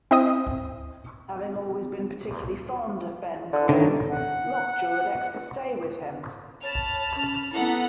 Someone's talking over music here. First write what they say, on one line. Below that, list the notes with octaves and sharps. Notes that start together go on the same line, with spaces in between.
Having always been particularly fond of Ben Grimm, Lockjaw elects to stay with him.
C4 E4 D#5 D#6
D3
A2 D3 D#3
F#5
C#5 A5 B5 F6
C#4
B3 E4 A4 F#5 A#5